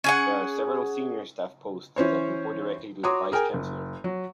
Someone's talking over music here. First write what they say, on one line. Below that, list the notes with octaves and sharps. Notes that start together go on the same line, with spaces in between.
There are several senior staff posts that report directly to the Vice Chancellor.
C#4 G#4 F#5
E3 C#4 C5 C#5
F#4 C#5 A#5 C6 D6 D#6
G#4 A#4 G5 G#5
F#1
F#3